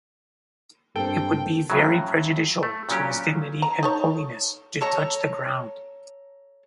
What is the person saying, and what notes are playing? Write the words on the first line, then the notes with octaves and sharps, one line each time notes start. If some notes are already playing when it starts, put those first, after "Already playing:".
It would be very prejudicial to his dignity and holiness to touch the ground.
G2 A#3 C4 A4 G5
A2 C#3 F#3
A3
A#2 C#3 F#3 C#4 G4
A#5
D#4 A4 C#5
A4 C#5 A#5 C#6